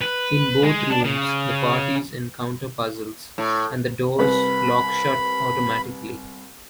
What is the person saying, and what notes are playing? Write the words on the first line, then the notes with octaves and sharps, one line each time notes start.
In both rooms, the parties encounter puzzles, and the doors lock shut automatically.
B4
G#3
D4
C#3
A2
C2 B4 B5